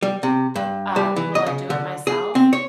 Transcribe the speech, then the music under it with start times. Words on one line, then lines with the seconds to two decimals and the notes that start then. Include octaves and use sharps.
Uh, Will I do it myself?
0.02 G3
0.23 C3
0.56 G2
0.96 G3
1.16 E3
1.35 D#5
1.46 C#3
1.70 D3
2.07 G#4
2.35 C4
2.53 C#5